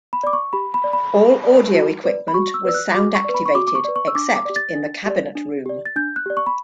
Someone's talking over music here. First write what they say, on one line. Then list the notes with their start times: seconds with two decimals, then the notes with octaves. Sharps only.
All audio equipment was sound-activated, except in the Cabinet Room.
0.13 B5
0.23 D5 D6
0.33 C#6
0.53 G4 B5
0.74 B5
0.84 D5
0.93 B5
1.14 G4
1.44 D5
1.74 F#4
2.04 B4 D5
2.28 B5
2.34 F#4 C#6
2.54 E6
2.65 B4 D5 E6
2.74 F#6
2.94 F#4 D6
3.15 C#6
3.25 B4 D5
3.34 B5
3.46 C#6
3.55 F#4 D6
3.68 D6
3.75 C#6
3.85 B4 D5
3.96 C#6
4.08 E6
4.15 D4 D6
4.36 D6
4.45 G4 D5
4.56 A6
4.75 D4
5.06 G4 D5
5.35 D4
5.66 G4 D5
5.85 A6
5.96 D4 G6
6.16 F#6
6.26 G4 D5
6.37 C#6
6.46 B5